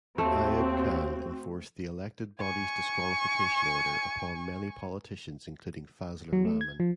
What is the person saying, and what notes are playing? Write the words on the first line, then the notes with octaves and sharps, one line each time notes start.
Ayub Khan enforced the Elected Bodies Disqualification Order upon many politicians including Fazlur Rahman.
D#2 A3 C4 F#4
G#5 C#6
F#3
A3
G#6
F3